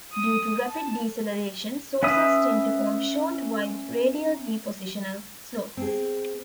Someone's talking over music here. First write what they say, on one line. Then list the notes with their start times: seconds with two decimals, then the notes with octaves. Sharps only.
Due to rapid deceleration, saucers tend to form short, wide, radial depositional slopes.
0.13 D#6
0.65 A5
2.03 C#4 B4 E5 D#6
5.77 C4 G#4